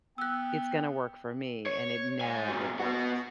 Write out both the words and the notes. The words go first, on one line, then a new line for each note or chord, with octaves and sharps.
It's gonna work for me, and it never works.
B3 G5 E6 F#6
C#5
G#2 G#5
A#2 F#3
B3 F#4